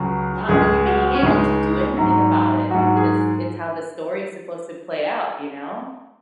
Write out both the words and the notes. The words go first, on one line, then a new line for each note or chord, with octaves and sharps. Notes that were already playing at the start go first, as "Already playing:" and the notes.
not really being able to do anything about it because it's how the story is supposed to play out, you know.
Already playing: C#2 C#3 F#3
C#2 C#3 G#3 G#4
F#4
C#4
C#2 C#3 G#3 D#4
G#2 F#3
G#2 F#3 F#4
G#4